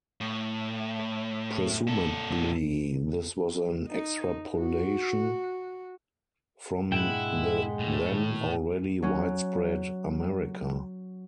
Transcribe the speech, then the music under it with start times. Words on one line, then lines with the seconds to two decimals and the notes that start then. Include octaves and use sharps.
Presumably, this was an extrapolation from the then already widespread "Amerika".
0.21 A2
1.87 A#2 A4
3.88 D#4
4.59 F#4
6.92 G#2 B2 G#3 D4 E4 F#5 G5
7.79 A2
8.10 A#2 D#3
9.02 F#3 C#4